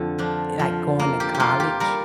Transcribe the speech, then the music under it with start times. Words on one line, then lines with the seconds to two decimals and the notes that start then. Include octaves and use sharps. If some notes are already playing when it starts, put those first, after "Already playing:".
like, going to college,
Already playing: F2 D3
0.19 F3 D4
0.59 F3
0.99 A#3
1.20 G4
1.34 G4
1.40 A#3 F4
1.60 G4
1.80 G3 A#4